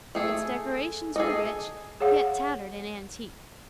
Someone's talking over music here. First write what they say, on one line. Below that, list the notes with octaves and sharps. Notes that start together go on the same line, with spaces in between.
Its decorations were rich, yet tattered and antique.
A3 G#4 A4
G#4 A4 D#5
G#4 C#5 F5 F#5